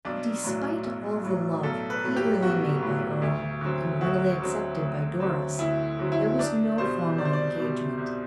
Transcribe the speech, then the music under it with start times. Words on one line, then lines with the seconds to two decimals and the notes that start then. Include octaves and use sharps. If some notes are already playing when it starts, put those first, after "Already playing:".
Despite all the love eagerly made by Earle, and readily accepted by Doris, there was no formal engagement.
0.05 B1 D4
0.44 A2 F#3
0.84 B1
1.24 A2 F#3
1.63 B1 A4
1.90 B4
2.03 A2 F#3
2.16 G4
2.42 B1 F#4
2.82 A2 F#3
3.22 D2
3.61 D3 F#3 C4
4.01 D2 F#4
4.40 D3 F#3 C4
4.81 D2
5.20 D3 F#3 C4
5.59 D2 E4
5.99 D3 F#3 C4
6.12 E4
6.38 C2 D4
6.78 B2 G3 C5
7.18 C2 D5
7.25 C5
7.33 D5
7.58 B2 G3
7.98 C2